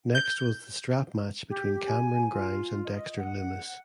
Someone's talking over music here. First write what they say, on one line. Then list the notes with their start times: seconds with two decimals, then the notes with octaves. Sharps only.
Next was the strap match between Cameron Grimes and Dexter Lumis.
0.15 G6
1.50 G4
1.86 G#5
2.32 F4
2.85 D#5
3.18 F#5